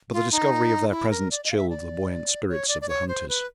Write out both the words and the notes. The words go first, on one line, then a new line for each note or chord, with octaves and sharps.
But the discovery of their presence chilled the buoyant spirits of the hunters.
F4
D#4
E4
A#4
D5
D#5
F5
E5
D5
C#5
D5
D5
C#5
C5
B4